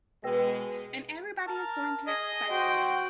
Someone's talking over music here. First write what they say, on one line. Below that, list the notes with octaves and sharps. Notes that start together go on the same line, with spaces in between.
And everybody is going to expect that.
B2 G#3 B4 G5 A#6
A#4 A5
G#4 D#5
F#4 C5 G5